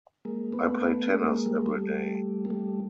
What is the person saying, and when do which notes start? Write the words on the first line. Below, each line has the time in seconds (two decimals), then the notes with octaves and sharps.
I play tennis everyday.
0.25 G#3 A#3
0.53 A3 B3
1.10 G#3 A#3
1.46 G3
1.56 G#3
1.66 G3 A3
2.45 A#3
2.50 G3 A3